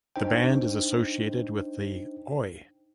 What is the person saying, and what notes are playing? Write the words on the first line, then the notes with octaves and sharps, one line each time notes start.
The band is associated with the Oi!
D4 D#4 C5 G5